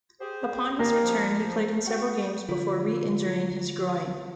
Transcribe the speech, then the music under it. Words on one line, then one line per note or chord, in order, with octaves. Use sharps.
Upon his return, he played in several games before re-injuring his groin.
G4 G#4 C5
A#3 G4 A#4 D5
F3
F#4 G5 C#6
D3 F3 F4